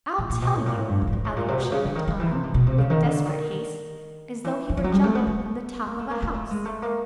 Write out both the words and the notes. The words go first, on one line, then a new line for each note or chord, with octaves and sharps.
"I'll tell you," Alyosha went on with desperate haste, as though he were jumping from the top of a house.
A2
A#2
B2
A2
A#2
A2
G2
F2
G2
G#2
A2
A#2
C3
B2
C#3
D3
D#3
D#3
E3
C3
B2
B2
C3
C#3
D#3
D3
D#3
E3
E3
F3
F#3
G3
A3
B3
B3
A#3
A3
A#3
A#3
A3
G#3
A3
A#3